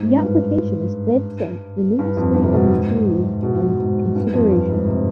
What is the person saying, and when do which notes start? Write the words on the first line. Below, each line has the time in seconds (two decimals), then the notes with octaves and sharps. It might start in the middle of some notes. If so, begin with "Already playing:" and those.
The application is then sent to the Ministry of Interior for consideration.
Already playing: G#2
0.17 G2
1.99 G2
2.17 F2
2.35 G2
2.44 C3
2.53 B2
2.71 G#2
3.43 B2
3.80 G#2
4.15 G2
4.34 F2
4.51 G2
4.69 G#2
4.88 C3